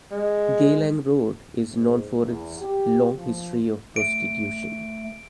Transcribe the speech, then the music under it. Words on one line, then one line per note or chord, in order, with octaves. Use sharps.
Geylang Road is known for its long history of prostitution.
G#3
G#2
E2
G4
F3
A3 D7